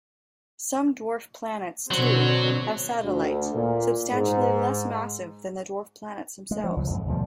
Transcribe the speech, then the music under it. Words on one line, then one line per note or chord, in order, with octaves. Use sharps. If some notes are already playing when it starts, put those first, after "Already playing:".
Some dwarf planets, too, have satellites substantially less massive than the dwarf planets themselves.
B2 D3 F#3 C4
D2
A#2
G#2
G#3
F3
C#2 F#3
F2 G#2
D2 B2 F3 G3